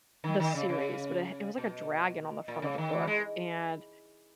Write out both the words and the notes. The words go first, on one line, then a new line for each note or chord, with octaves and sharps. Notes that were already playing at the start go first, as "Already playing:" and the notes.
the series, but, eh, it was, like, a dragon on the front of the book and
D#3
D#3
C#3
C#3
B2
A#2
C#3
D#3
E3
G#3